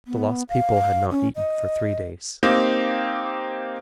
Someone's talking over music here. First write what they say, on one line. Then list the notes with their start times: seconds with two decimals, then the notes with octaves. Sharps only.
The lost people had not eaten for three days.
0.07 B3
0.49 F5
1.11 C#4
1.36 D#5
2.43 A#3 C4 D#4 G4